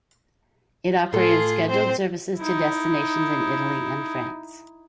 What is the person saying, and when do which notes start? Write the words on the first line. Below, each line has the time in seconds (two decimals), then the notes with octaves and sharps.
It operated scheduled services to destinations in Italy and France.
1.13 A2 F4 G#4 A4
1.67 C4 C5
2.37 D#4 E4